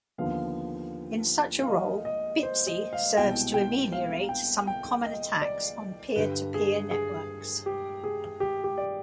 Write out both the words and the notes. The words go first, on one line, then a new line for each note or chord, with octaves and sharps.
In such a role, Bitzi serves to ameliorate some common attacks on peer-to-peer networks.
D#2 D3 F3 B3 F5
F5
D#5
D#5
C5
D#5
F5
C2 B2 G#3 G5
G5
F5
G5
G5
D#5
D5
G2 D3 G3 B4
G#4
G#4
G4
G#4
G4
G4
D5